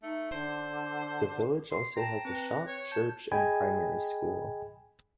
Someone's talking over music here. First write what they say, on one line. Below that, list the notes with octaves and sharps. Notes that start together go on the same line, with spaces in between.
The village also has a shop, church and primary school.
A3 D#4
D3 C5
C6
G5 A5 A#5
C4 B4
C#5
A5 G6
G#4 D#5 G5 G#5 B5 G#6